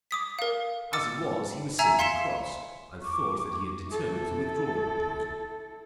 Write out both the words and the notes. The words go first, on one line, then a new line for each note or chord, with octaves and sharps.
As it was he was simply cross, and thought that he had determined to withdraw the proposal.
D6 D#6 B6
A#4 F5
D6 E6 A6 C#7
E5 G#5 A#5 E6 G#6
F5 C6 B6 C#7 E7
C#6 D6
E4 A4